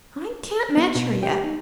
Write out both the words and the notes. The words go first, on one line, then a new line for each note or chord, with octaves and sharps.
I can't match her yet.
B3
B2
G4
D#4